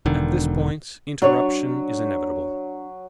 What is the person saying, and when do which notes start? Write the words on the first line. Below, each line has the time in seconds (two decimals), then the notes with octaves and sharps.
At this point, interruption is inevitable.
0.06 E1 D3 D#3
1.22 F#3 D4 C#5